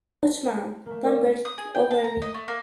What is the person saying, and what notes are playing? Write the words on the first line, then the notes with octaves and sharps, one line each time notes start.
A watchman tumbled over me.
A3 A#3
A#4 C#5 D5
D#6
G#4
G5
A5
A#5
D#5
A3
A#3